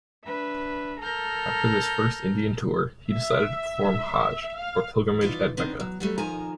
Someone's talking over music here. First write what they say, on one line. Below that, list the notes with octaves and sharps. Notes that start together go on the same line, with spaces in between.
After this first Indian tour, he decided to perform Hajj or pilgrimage at Mecca.
D4 B4 E5
A4 A#4 A#5 F6 G6
E5
F5
E3 D#4 F4 D5
D#3 B3 C4 D4
F#3
F#3 G3 A3
F2 D#3 F3 A#4 G#5 A#5